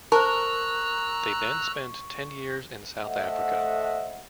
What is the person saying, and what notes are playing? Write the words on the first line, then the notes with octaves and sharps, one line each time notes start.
They then spent ten years in South Africa.
A#4 C5 A5 A#5 C#6 E6 F#6
A3 A4 C5 D#5 E5 F#5